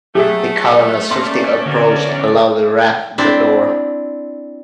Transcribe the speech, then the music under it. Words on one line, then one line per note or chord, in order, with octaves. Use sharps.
The colonel swiftly approached and loudly rapped the door.
F#3 A3 G4 G#4 E5
A#3 C#4 D5 C6
B2 D3 E3 F#3
C4 D4 E4